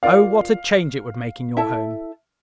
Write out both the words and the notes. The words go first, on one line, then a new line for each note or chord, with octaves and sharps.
O what a change it would make in your home!
F4 A#4 D5 F5
E4 A4 E5 A5